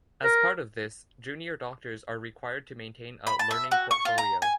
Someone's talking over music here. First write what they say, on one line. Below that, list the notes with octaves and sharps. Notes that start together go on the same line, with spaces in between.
As part of this junior doctors are required to maintain a "learning portfolio".
A#4
B5
A5
E5
F#4
C#6
F4
A#5
G#5